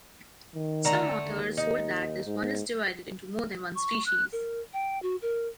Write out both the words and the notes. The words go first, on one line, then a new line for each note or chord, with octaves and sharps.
Some authors hold that this one is divided into more than one species.
D#3
D3 A3 A#5
D#2
D#4
G#2
C#6
F#6
A#4
G5
F#4
A#4